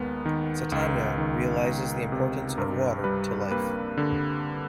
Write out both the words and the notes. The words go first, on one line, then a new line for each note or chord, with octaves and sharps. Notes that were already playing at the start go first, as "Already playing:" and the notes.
Satanaya realizes the importance of water to life.
Already playing: D#2 G#3 B3 A#4
D#3
C#2
D#3
C#2
C3
G2 A#4
G3 B4
A#3 B4
D3